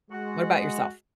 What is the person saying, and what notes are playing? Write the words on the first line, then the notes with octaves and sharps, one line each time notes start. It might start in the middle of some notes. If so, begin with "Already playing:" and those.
What about yourself?
G#3 F#4